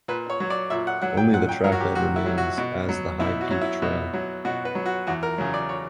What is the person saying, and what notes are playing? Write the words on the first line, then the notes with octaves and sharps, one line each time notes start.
Only the trackbed remains as the High Peak Trail.
A#2 B4
C#5
F#3
D5
A#2 E5
F#5
F#3 F#5
G5
A#2 F#5
G5
F#3 A#4
F#4
G4
A#2 F#4
E4
F#3
F#4
B2
F#3
B2 E4
F#4
F#3
E4
B2
F#3
B2 F#4
B4
F#3
F#4
E2 F#4
A#4
C#3 F#3
D5
C#5